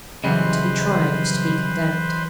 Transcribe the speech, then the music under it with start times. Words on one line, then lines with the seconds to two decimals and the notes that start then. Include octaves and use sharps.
And to be tried was to be condemned.
0.24 C#3 E3 F#3 G3 B4 C5 D#5 C6